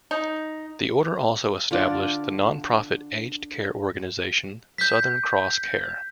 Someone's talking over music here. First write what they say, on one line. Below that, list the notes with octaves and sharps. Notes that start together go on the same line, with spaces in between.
The order also established the non-profit aged care organization, Southern Cross Care.
D#4
D3 F4 D5
G6 B6